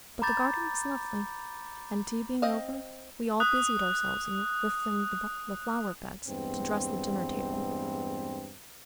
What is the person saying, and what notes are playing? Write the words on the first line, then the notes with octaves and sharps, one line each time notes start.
But the garden was lovely, and tea being over, we all busied ourselves in rifling the flowerbeds to dress the dinner table.
A#5 B5 D6 G6 A6
C4 D#5 F5
D#6 F#6
E2 G2 G#3 B3 C4